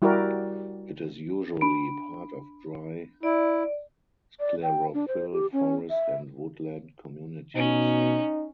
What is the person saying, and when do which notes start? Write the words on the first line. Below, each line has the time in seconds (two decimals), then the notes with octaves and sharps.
It is usually part of dry sclerophyll forest and woodland communities.
0.02 G3 E4 F#4 G4 A#4 D5
1.61 D4 B5 D7
3.23 E4 D5
4.40 D5
4.62 G5
4.94 D4
5.08 C5
5.32 G4
5.53 C#4
5.90 E5
7.56 B2 C#4 D#4